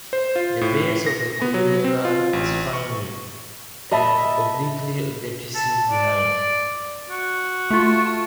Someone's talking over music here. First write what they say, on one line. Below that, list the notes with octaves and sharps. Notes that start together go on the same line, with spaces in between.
The base of the columella is finely and obliquely decussate behind.
C5
F4
A2
A#6
B3
F#3
C4
F4
A1
C#6
D#5 E5 A5 B5
A5
D5
F#4
A3 F4